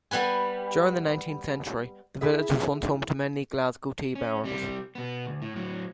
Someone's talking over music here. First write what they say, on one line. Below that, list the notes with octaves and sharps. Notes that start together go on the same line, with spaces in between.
During the nineteenth century the village was once home to many Glasgow tea barons.
G3 B3 B4 G#5
E4 G#4 E5
C#4
C3 G3
B2 B3
D2
A2
A2 F#3